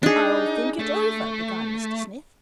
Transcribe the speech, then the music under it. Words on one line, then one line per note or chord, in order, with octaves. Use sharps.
'I'll think it over--' began Mr Smith.
D4 D#4 G#4
A3